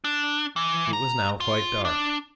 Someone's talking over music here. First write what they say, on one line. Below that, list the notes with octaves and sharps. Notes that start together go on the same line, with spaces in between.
It was now quite dark.
D4
E3
A#5
F4
D4